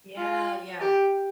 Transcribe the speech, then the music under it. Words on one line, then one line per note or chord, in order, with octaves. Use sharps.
Yeah, yeah.
F4
G4